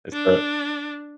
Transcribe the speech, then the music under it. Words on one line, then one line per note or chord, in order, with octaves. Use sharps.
is that
D4